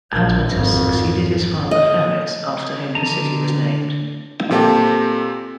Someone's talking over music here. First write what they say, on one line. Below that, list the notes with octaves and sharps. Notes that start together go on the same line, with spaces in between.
Admetus succeeded his father Pheres after whom the city was named.
A#1
G#1 F2
D#5
D3 D4 A#5
A#2 C4 G4 A4